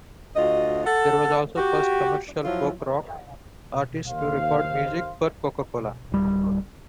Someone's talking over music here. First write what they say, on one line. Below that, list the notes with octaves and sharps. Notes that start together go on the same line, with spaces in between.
They were also the first commercial folk-rock artists to record music for Coca-Cola.
D2 F4 F#4 D#5
A4 F#5
F#4 G4
F3 F#3 E4 F4
D#2 C5 F5
D1 G3